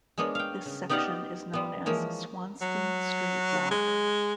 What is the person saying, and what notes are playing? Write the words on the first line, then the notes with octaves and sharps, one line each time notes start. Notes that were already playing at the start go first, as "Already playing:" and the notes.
This section is known as "Swanston Street Walk".
G#3 A#3 B3 D4 C#5
F5 G5
C#3
B3 D#4 G4 D5 F5 F#5
G3 B3
E3 F3 G#3 A#3 C#5
F#3
G#3